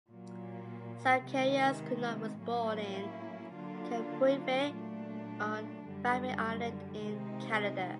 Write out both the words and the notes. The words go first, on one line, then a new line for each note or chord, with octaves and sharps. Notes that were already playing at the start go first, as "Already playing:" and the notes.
Zacharias Kunuk was born in Kapuivik on Baffin Island in Canada.
A#2 F#3 A#3
C3 D#3 G#3 B3
A2 F#3 A#3 C#4 E4
D3 F#3 A#3 D4 F4
A#2 F#3 A3 D4
F#2 D3 G3
C3 D#3 G#3 C4 D#4